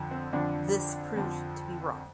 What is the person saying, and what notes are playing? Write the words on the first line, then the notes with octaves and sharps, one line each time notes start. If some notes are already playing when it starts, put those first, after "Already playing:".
This proved to be wrong.
Already playing: F2 D3 F3
C4
F2 D3 F3 D4
F2 D3 F3